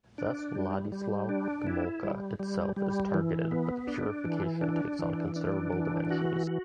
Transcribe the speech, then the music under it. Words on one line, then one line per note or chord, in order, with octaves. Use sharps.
Thus Władysław Gomułka itself is targeted but the purification takes on considerable dimensions.
D4
G3
G3
D4
E4
G3
G3
G3
E3
B3
D4
E3
D4
E3
D4
E3
F#4
F#4